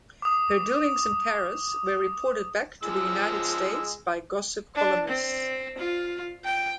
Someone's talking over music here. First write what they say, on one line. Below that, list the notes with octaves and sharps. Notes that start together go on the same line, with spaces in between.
Her doings in Paris were reported back to the United States by gossip columnists.
D6 D#6
F3 G#3 E6
D4
C4
F4
G5